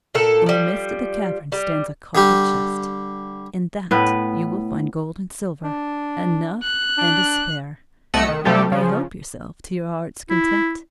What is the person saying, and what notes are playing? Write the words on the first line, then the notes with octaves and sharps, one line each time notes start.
In the midst of the cavern stands a copper chest, in that you will find gold and silver, enough and to spare, and you may help yourself to your heart's content.
A#2 A4
F3 G3
G3
D3 G3 G4
A2 B3 B4
D4
F#6
D4
C2 A3 D#5 F#5 E6 C#7
D#3
C3 F3 G3 A3 G4 A4
C#3 F3
E4